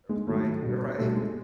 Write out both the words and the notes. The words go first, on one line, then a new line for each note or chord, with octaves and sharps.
R right, right,
G#3
G#2 D#3 F#3 A3
B2 G3
B2 G3 A3
G#3